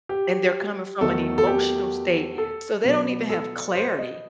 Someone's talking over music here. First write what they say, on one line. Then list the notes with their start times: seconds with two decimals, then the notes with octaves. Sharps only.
and they're coming from an emotional state, so they don't even have clarity.
0.09 G4
1.01 E2 D#3 F#3 A3 A4
1.38 A4
1.47 G4
2.38 A4
2.84 B2 F#3 B3
3.30 A4
3.76 C5
3.99 D#5